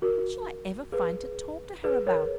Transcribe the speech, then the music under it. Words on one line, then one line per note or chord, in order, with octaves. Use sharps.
What shall I ever find to talk to her about?
F#4 A#4
G#4 B4
G#4 B4
A#4 C#5